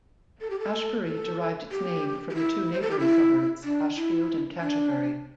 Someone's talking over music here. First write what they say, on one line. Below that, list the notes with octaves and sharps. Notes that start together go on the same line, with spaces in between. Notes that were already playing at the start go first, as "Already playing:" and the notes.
Ashbury derived its name from the two neighbouring suburbs Ashfield and Canterbury.
A4
G4
A4
A4
G4
G4
E4
C5
A4
G4
E4
D4
E4
D4